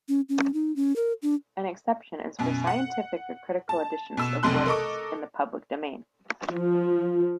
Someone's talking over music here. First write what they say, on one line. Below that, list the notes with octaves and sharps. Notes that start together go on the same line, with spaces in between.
An exception is for scientific or critical editions of works in the public domain.
C#4
C#4
D#4
C#4
A#4
D4
F#2 B2
F#5
A5
B2 E6 E7
F1 B1 C3 C6 F#6
A4 A#4 D#5 C#6 D6
F3